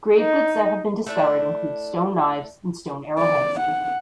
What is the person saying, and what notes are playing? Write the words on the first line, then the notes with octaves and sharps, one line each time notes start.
Grave goods that have been discovered include stone knives and stone arrowheads.
D#4
A3 D4 E4
D5
F#5